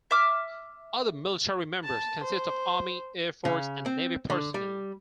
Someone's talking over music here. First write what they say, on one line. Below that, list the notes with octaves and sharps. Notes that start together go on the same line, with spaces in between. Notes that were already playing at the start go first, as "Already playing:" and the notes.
Other military members consist of Army, Air Force and Navy personnel.
E5 D6 F6
A5
C5
C#3
C4
D3
G3